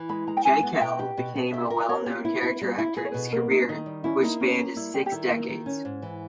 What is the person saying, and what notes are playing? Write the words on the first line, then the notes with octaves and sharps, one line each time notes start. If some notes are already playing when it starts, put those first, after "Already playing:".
Jaeckel became a well known character actor in his career, which spanned six decades.
Already playing: E3
G#3 B5
G#3 A#5
G5
G#3 G#5
B3
E5
B2 G5
G4
B2
B2
G4 E5
A#4
A#4 C#5
G4
E4
E4
G3
E4
G#4 B4
C#5
B2 B4
A#3 A#4
A#3 D#4
C#4
D#3 D#4
G3
C#4 E4
A#3 D#4
C#4 G4
A#3
G3 E4
G3 G4
G4
D#3 E4
A#3
D#3
C#4
G#2
E3